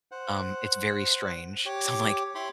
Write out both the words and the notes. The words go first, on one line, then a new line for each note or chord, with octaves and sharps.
Um, it's very strange. So, I'm like,
C5 F#5
G4 C#5 D6
E4 G4 C#5 B5 C6 D6